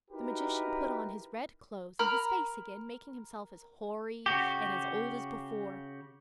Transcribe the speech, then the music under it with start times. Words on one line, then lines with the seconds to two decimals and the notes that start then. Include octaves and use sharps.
The magician put on his red clothes and his face again, making himself as hoary and as old as before.
0.10 D#4 E4 F#4 G4 A#4 B4
1.99 A#4 B5 F6
4.26 C#3 F#4 G4